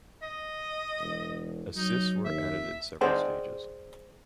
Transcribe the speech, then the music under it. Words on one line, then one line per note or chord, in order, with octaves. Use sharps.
Assists were added in several stages.
D#5
E1
F#3 D#4
D#2 E5
G#4 C5 D5 F#5 G5